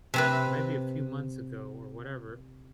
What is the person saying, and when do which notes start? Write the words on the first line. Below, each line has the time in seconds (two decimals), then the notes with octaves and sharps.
or maybe a few months ago or whatever.
0.14 C3 C4 B4